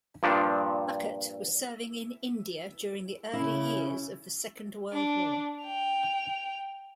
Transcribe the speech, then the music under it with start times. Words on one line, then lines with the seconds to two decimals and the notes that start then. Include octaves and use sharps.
Urquhart was serving in India during the early years of the Second World War.
0.23 G2 A#2 F3 D4
3.33 C#3 C#4 E4
4.93 D4
5.64 G5 F7